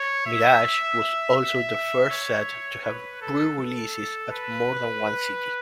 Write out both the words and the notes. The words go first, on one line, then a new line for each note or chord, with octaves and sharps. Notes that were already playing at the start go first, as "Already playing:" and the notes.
"Mirage" was also the first set to have pre-releases at more than one city.
Already playing: C#5
E5
E5
C#5
B4
A4
A4
B4